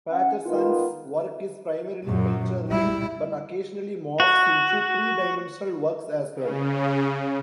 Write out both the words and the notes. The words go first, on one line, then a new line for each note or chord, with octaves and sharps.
Patterson's work is primarily painterly, but occasionally morphs into three-dimensional works as well.
C#4 F#5
D#3 B3 F4
F#2 A#2
G3 E4
F#4
C#3